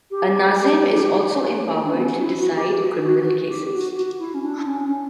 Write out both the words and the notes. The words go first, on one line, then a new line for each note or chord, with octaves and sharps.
A "Nazim" is also empowered to decide criminal cases.
G4
G4
G4
D4
B3
C#4
E4
F#4
G4
F#4
F#4
F#4
G4
F#4
F#4
E4
C#4
D4
C#4
C#4